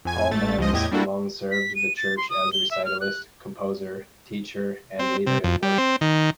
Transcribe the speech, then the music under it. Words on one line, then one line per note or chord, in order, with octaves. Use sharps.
Paul Manz long served the church as recitalist, composer, teacher and leader in worship.
F2 G#5 G#6
A1 A3 A6
C#2 F3 D#5
E2 A2 G4 D#5 G#6
G3 A#3 D4 E4 F#4 A4
B6
D#7
A6
C6
D#6
G7
E5
F6
F#6
C4
C3
F2
G3
C4
D#3